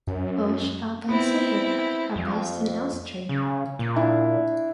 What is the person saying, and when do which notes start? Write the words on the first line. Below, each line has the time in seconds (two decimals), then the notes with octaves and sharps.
Bush, Alba and Cyber-Duck are based in Elstree.
0.07 F#2
1.09 B3 C4 E4
2.16 F2
3.29 C#3
3.79 A#2
3.96 D4 E4